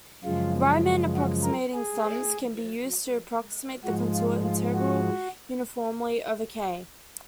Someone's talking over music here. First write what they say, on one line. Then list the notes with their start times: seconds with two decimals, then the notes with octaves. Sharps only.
Riemann approximating sums can be used to approximate the contour integral uniformly over "K".
0.24 F#2 C#3 F3 G#3 F4
1.15 F#4
1.43 A#4
1.74 G#4
3.84 G#2 F3 G#3 F#4
4.14 F4
4.43 F4
4.74 F#4